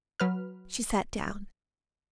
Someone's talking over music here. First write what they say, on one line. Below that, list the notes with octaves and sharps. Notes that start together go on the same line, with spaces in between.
She sat down.
F#3 B4 F6